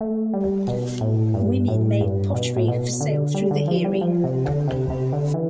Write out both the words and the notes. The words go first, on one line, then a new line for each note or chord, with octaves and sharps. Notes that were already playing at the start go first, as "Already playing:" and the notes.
Women made pottery for sale through the "hiri".
A3
G3
B2
A2
G2
A2
G2
B2
A2
B2
D3
G3
D3
F3
G3
F3
C3
D3
C3
C3
D3
E3